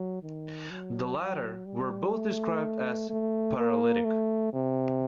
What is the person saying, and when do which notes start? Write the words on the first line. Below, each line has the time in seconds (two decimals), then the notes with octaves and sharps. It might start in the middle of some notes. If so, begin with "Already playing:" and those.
The latter were both described as "paralytic".
Already playing: F#3
0.23 D#3
0.71 F#3
1.18 F#3
1.66 G3
2.14 A3
3.10 A3
3.57 A#3
4.05 A3
4.53 C3